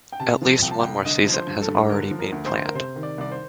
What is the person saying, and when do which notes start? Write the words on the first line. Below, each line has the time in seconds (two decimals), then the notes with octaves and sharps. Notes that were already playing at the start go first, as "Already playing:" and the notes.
At least one more season has already been planned.
0.12 G5
0.20 C3 A5
0.42 F3
0.62 C2 G5
0.71 A5
0.80 C2 G5
1.05 D3 D#5
1.26 F3
1.34 C5
1.47 G2
1.62 A4
1.68 G2
1.90 D3 A#4
2.11 F3
2.19 A#4
2.32 D2
2.46 C5
2.53 D2
2.65 A#4
2.75 C3 C5
2.96 D#3
3.03 D5
3.18 C2 D5
3.32 C5